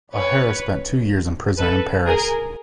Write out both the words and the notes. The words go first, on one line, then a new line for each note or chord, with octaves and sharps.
O'Hara spent two years in prison in Paris.
B4 C#5
A4 B4
G#4 A#4